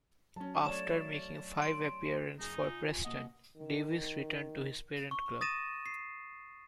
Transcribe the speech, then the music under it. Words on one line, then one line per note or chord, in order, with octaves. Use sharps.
After making five appearance for Preston, Davies returned to his parent club.
F#3 C#4 A5
A3 C#5 D5 E7
C6 D7
F#2 D#4 G#4
F4 G#5
B2 A#3 D#5 F#5
D#3
C#6
D#6 A6 A#6 D#7 E7
C7